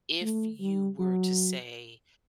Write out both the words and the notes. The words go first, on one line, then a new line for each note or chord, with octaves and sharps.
if you were to say,
A3
G3
F#3